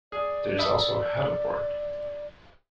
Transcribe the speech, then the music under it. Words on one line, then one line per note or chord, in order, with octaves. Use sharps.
There is also a heliport.
G#4 D5
E5 B5 D#6